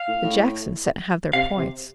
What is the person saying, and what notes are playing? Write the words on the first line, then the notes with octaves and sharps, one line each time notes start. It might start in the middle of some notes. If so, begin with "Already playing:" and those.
"The Jackson set have their points."
Already playing: F5
A2
A2
C3 F5
C3